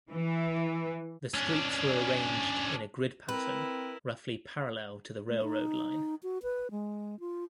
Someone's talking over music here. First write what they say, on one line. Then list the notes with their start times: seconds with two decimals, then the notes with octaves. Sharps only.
The streets were arranged in a grid pattern roughly parallel to the railroad line.
0.10 E3
1.34 C#4 D4
3.29 C4 E4 A#4 B4
5.29 A3
5.44 D#4
6.23 F#4
6.43 B4
6.71 G#3
7.20 F4